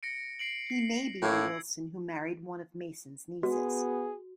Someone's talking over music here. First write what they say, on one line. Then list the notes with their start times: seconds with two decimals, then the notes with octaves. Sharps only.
He may be the Wilson who married one of Mason's nieces.
0.03 A#6 C#7 D7
0.39 C7 D7 F#7
0.70 C7
1.23 A2 A#3 C#4 E6 G#6
3.43 B3 F#4 G#4